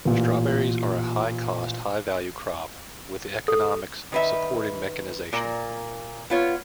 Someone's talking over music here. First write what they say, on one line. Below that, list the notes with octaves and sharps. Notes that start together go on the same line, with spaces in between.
Strawberries are a high cost-high value crop with the economics supporting mechanisation.
A1 A#2
A4
D#3 B4 E5
A#2 A#4
B3 F4 C#5